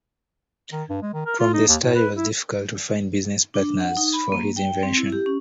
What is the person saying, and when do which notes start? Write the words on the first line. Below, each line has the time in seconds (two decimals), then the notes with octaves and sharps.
From the start it was difficult to find business partners for his invention.
0.72 D#3
0.89 G2
1.02 G#3
1.13 D#3
1.26 A#4
1.39 F4
1.53 D#4
1.68 D#2
1.82 A2
1.95 B4
2.16 E4
3.54 D4
3.80 F#5
3.97 D#4
4.13 B5
4.32 A#3
4.56 G5
4.83 C4
4.97 E4
5.12 G4
5.26 C#4